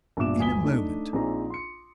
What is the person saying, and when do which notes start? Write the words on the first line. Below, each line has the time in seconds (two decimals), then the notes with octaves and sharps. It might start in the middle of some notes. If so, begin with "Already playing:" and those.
"In a moment."
0.17 A#1 G2 B2 E5 D6 E7
0.38 G1 D2 G#5 D#6 B6 G7
0.63 A3 D4 D#4
1.13 A#1 C4 D#4 G#4 A#5
1.50 C6 C#7